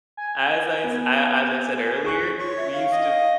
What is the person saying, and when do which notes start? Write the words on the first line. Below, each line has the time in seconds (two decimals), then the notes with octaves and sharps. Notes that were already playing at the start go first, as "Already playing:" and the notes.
As I s a as I said earlier, we used to
0.17 G#5
0.84 B3
2.04 G#4 C#6 F#6
2.39 F4 C#5
2.57 E5
2.73 F5
2.92 D#5